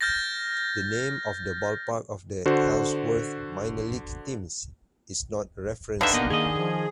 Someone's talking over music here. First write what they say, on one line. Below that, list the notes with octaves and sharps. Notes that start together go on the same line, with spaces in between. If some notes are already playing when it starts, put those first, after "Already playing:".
The name of the ballpark of the Ellsworth minor league teams is not referenced.
F6 G6 A6 A#6
D3 F#4 C5
D3 D#4 G4 B4 E5 F5
B2 A#3 B3 D#4 D#5
D#3 A#3 G#4 D#5
F3